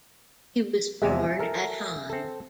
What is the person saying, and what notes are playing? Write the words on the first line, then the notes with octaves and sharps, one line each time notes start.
He was born at Hann.
E2 C3 G#3 E5 G#5
A4 A#4
C4 A4